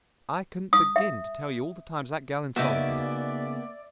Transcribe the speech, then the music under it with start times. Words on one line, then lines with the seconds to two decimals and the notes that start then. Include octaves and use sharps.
I couldn't begin to tell you all the times that girl insulted me.
0.73 D#6
0.96 E5
2.56 C#3 A#3 B3 D#4 F#4 D5 E5 D6